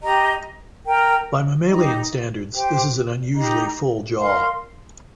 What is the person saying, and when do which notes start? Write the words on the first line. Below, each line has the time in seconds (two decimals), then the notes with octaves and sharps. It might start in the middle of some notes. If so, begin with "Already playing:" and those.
By mammalian standards, this is an unusually full jaw.
0.03 G4 D#5 A#5
0.86 A#4 G5 A#5
1.69 D#4 G4 D#5 A#5
2.52 G4 C5 G5
3.35 D#4 G4 D#5 A#5
4.19 A#4 F5 C6